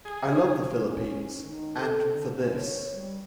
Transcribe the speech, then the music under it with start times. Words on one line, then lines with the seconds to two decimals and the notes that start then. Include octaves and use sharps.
I love the Philippines - and for this...
0.05 G#4
0.81 C#4
1.43 D#3
1.77 A4
2.12 D3
2.54 C#5
2.92 G3